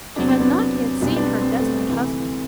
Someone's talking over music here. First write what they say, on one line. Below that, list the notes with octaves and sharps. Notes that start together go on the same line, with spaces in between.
She had not yet seen her destined husband.
E2 C3 F#3 D4
C4
B3 D4
B1 B2 G3 D4
C4
B3 D4
C4
B3
C4
B3
A3
D2 C3 E3